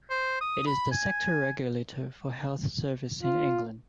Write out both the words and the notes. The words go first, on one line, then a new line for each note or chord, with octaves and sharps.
It is the sector regulator for health services in England.
C5
D#6
B5
G#5
F4